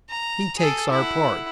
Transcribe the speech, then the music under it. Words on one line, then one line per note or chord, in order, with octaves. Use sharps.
He takes our part.
A#5
G#4 A4
E4 F#5